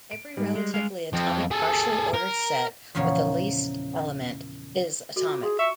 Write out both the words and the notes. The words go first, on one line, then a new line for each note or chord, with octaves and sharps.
Every relatively atomic partially ordered set with a least element is atomic.
D7
G#2 G3
G#3
G#3 F5
F2 C4
G#4 A4
A#4
E2 A#2 C#3 F3 A#4 C#5
F#4 A4 D#5
F4 D6
G#4 D#5 C6
E5 C#6